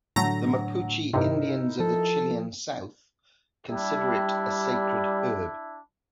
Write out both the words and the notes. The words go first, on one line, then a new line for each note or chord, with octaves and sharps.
The Mapuche Indians of the Chilean south consider it a sacred herb.
A2 D3 F#3 A3 A#5 A#6
G2 C3 D#4 E4 A#4
F3 A4
G3 D4 E4